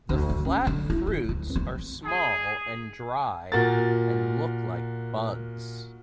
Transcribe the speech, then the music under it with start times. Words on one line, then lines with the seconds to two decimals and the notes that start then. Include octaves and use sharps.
The flat fruits are small and dry and look like bugs.
0.09 D2
0.30 D3
0.45 C#4
0.67 D3
0.90 E4
1.07 E4
1.29 D2
1.55 B3
2.06 G#4
3.52 A#2 F#4 A#4 A6